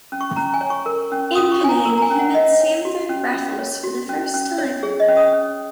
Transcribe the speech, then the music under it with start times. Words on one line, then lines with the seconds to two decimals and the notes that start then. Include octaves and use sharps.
In Penang he met Stamford Raffles for the first time.
0.12 C#4
0.21 C#6
0.36 C#4 A#5
0.54 G#5
0.61 C#5
0.70 C#6
0.86 A#4
1.12 C#4
1.35 C#4 D#6
1.52 C#6
1.61 C#5 G#5
1.69 A#5
1.85 A#4 A#5
1.98 A#5
2.02 G#5
2.10 C#4
2.19 F#5
2.31 F#5
2.35 C#4 D#5
2.61 C#5
2.85 F#4
3.09 C#4
3.35 C#4
3.59 C#5
3.84 F#4
4.09 C#4
4.34 C#4
4.58 C#5
4.83 G#4 C#5
5.00 D#5
5.08 C#4
5.17 D#6
5.32 C#4